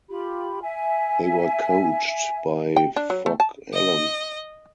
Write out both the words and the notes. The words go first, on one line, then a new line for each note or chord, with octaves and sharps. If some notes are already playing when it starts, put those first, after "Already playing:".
They were coached by Phog Allen.
F4 G4 B5
E5 G#5
G5
D4
F#3
A3
A5
D#5